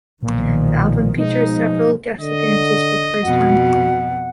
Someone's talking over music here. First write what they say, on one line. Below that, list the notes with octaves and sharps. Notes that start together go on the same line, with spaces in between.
The album features several guest appearances for the first time.
B1 A#2 D#3 F3
B2 F3 G#3 D#4
D3 D#5
F2 B2 F#4 F#5